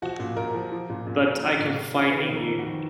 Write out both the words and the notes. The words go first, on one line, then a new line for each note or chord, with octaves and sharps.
But I confide in you.
F3 F#4
A#2
A#2 A#4
F3
F3
A#2
A#2
F3
F3
A#2
A#2
F3
D#3 B4
F2
A#4
F2
F#4
D#3